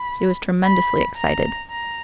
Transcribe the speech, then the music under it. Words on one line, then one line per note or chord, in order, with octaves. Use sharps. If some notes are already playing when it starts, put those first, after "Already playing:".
She was tremendously excited.
Already playing: B5
B5
A#5
A#5